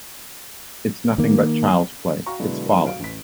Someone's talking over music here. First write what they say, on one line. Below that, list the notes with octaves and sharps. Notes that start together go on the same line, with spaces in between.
It's nothing but child's play - it's folly.
D#3 A#3
F#4 F5 G5 A#5 C#6
B2 D3 F#3 G#3 E4 B4
D#3 F#4 G#4 A#4
F#3 F5 D7
A1 B6